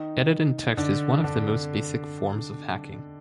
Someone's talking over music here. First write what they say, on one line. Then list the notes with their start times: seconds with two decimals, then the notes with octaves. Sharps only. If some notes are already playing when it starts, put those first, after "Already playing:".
Editing text is one of the most basic forms of hacking.
Already playing: D#3 D#4
0.77 D3 D4
1.24 D3 D4